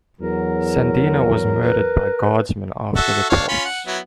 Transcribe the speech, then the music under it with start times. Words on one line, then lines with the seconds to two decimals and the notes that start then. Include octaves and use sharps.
Sandino was murdered by Guardsmen after the talks.
0.21 E2 F#3 A#4
1.63 B4
2.96 F#4 A4 E5
3.30 D4 C#5 F5
3.48 C#4 F4 B5
3.65 F#5
3.87 F#3 B3 E4